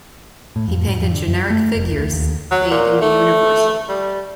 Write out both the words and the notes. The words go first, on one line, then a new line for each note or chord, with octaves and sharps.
He painted generic figures, creating the universal.
A2
F2
G#2
F2
D3
F#2
A3
F1
D2
D#2
F#3
A#2
A3
G3